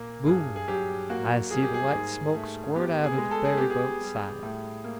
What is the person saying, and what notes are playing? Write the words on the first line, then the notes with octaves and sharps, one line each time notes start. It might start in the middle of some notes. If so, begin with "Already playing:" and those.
"Boom!" I see the white smoke squirt out of the ferryboat's side.
Already playing: A#2 A#3
G2 G#4
G#4
F#3 G4
A#3 F#4
G3 G#4
G4
G#4
G#2
A3
B3 G4
G#4
G#3
A4
G#4
B3 G4
G#4
G3
A2
A#3